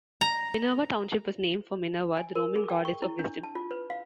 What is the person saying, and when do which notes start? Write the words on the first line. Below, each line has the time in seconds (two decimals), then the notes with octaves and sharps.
Minerva Township was named for Minerva, the Roman goddess of wisdom.
0.21 A#5
2.17 G#5
2.35 A#4
2.56 G#4
2.70 G5
2.85 C#6
3.02 E4
3.19 D4
3.43 A5
3.55 F4
3.71 B4
3.90 F5